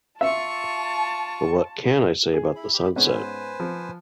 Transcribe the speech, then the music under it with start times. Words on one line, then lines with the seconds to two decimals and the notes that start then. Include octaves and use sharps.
But what can I say about the sunset?
0.21 F4 E5 A5 C#6
2.34 G#4
2.56 E4 B5
2.73 G4 B5
2.96 G#2 B3 C#4 B4 C5 G#5
3.60 F3